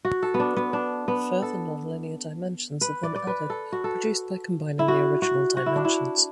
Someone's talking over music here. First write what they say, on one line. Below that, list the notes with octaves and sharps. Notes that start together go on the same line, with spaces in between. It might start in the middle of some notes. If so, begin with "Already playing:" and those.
Further nonlinear dimensions are then added, produced by combining the original dimensions.
F#4
A4
B3
D4
B3
D4
B3
A4
B4
D5
D5
B4
A4
F#4
A4
E4
F#4
F#4
F#4
E4
D4
E4